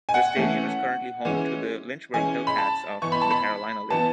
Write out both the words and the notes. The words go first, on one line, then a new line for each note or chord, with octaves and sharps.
The stadium is currently home to the Lynchburg Hillcats of the Carolina League.
G#5
F#5
E3 A3 C#4
E3 G#3 C#4
E3 G#3 C#4 G#5
B5
A5
E3 B3 C#6
B5
A5
B5
E3 B3 A5